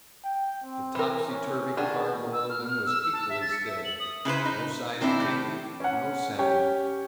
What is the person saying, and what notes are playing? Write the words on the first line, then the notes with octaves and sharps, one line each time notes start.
The topsy-turvy car below them was equally still; no sight of Pinky, no sound.
G5
C4
E3 A#4
C#4
D#3 D4 G#4 F#5
E6
F6
F6
E6
E6
A5
E5
A6
C#7
E5
F#7
D#6
C#3 E4 B4 C5
D#4
D#3 C4 D4 E4
A2 G4
C#4 F#5
C#4 G4 C#5 G5